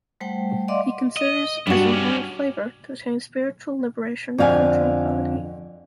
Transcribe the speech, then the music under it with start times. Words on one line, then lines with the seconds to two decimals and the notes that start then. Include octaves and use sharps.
He considers as inherent flavor to attain spiritual liberation through tranquility.
0.21 G3 A3 C5 F#5 G5
0.68 D5 D#5 F5 F#5 C6 D6
1.17 D#5
1.67 G2 B3 D4 F#4
1.92 C#4 D5
4.38 F2 D3 F5 G#5